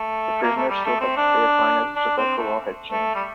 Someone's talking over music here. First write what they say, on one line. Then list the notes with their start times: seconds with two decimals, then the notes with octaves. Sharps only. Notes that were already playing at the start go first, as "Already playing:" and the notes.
The prisoners still had to pay a fine as the tobacco law had changed.
Already playing: A3
0.43 A#3
0.56 A3
0.69 G3
0.85 A3
1.01 C4
1.17 D4
1.96 D4
2.17 C4
2.37 A3
2.91 A3
3.15 G3